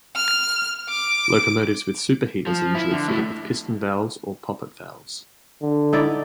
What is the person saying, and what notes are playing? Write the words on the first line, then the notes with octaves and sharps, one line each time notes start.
Locomotives with superheaters are usually fitted with piston valves or poppet valves.
F6
D6
F3
E4
D3
A3 E4
D3
D#4 E4 D5